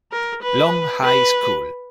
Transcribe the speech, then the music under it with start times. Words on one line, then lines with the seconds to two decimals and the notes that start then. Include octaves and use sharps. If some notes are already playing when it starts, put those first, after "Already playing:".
Long High School.
0.12 A#4
0.43 B4
1.04 B4